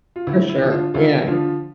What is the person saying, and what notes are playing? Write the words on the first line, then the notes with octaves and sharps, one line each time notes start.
For sure, yeah, m
F4
D2 E4
E4
D3 F3
D4 F4
D2 D4 F4
D3 F3 D4 F4